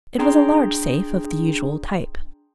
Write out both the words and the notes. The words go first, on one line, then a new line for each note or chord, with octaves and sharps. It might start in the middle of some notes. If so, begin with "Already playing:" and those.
It was a large safe of the usual type.
D4 G#4 G5 A#5 C6